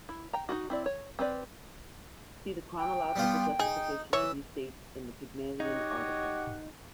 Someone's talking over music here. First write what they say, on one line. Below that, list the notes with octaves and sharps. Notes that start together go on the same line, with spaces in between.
See the chronological justification for these dates in the Pygmalion article.
E4
G5 A#5
D#4 F4 F#4
C4 E4 D5
C#5
C4 G4 B4 D5
G5
G3 B3 F4
D#4 G#4
E3 C#5 E6
D#4 F#4 G4 C#5 D#5 F#5